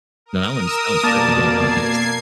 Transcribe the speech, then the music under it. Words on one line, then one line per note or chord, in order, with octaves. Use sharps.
No, that one's that one's perfectly in context,
A#4 D#6
E6
F2 B2 A#3 D5 A5
A#3 G#6 C7